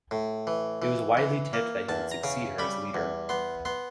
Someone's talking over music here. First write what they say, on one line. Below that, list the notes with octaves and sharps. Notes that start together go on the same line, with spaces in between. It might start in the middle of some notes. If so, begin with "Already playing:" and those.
It was widely tipped that he would succeed her as leader.
A2
E3
E3
E3
A#3
E2 A5
A#5
C#3
G3 B5
E2
B3 C6
B3 C6